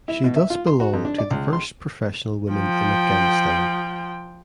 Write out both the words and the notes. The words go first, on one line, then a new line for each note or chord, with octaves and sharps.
She thus belonged to the first professional women in Afghanistan.
E4
B2
E5
F4
C6
F#4
F2
D4
D5
C#2
C6
F3 G5